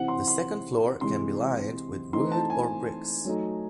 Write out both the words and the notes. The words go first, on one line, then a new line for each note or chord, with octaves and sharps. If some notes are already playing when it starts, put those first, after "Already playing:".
The second floor can be lined with wood or bricks.
Already playing: C3 E3 C4 E4 F#5
C6
C6
C3 E3 G#3 C6
E3 A3 C4 D#4 C6
A5
G#5
F#3 A3 D#4